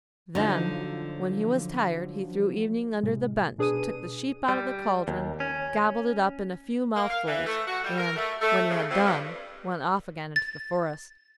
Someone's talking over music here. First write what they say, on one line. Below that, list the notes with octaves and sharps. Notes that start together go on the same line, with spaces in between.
Then, when he was tired, he threw Evening under the bench, took the sheep out of the cauldron, gobbled it up in a few mouthfuls, and, when he had done, went off again into the forest.
D3 F3 F#3 D#4
A2 C3 G#3
B2 D4 G#4 B4 D#6 D#7
G3
D#2
C#4
A#3
F5
E3
A3
F#4
G3
A#4
A3
A3
C#3
F2
G2
A6